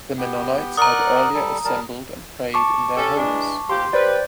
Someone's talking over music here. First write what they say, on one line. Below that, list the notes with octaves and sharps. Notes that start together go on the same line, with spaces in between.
The Mennonites had earlier assembled and prayed in their homes.
B3 G4
A#4 D5 F#5 A#5 D#6
G3 A4
G3 A#4 A5
A5 C#6 D6
C#4 G4 A4
E3 G#3 D4
D#2 F3 G4 C6
G3 G4 B4 C5 D5